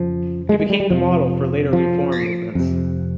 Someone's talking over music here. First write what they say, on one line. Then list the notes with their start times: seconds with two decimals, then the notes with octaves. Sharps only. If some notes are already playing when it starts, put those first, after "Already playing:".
It became the model for later reform movements.
Already playing: F2 C#3 F3
0.49 G#3
0.60 G#3
0.70 G3
0.80 G3
0.90 F2 C3 F3
1.73 F3
2.55 F2 C3